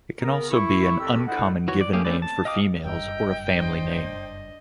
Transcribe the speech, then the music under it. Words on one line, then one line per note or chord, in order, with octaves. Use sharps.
It can also be an uncommon given name for females or a family name.
C#3 B3 A#4
E4 C#6
F2 D#3 G4 E6
D4 E4 A4 C5 D#5 F#5
E3 F#4 C#5
D5
A3 A#3 C#4 G4 G#4
A3 C4 C#4 B4 D5
A5
D#5 F5 G5 D6 D#6
F#1 G2 D#5 G5 A#5 E6
D4 C5 D#5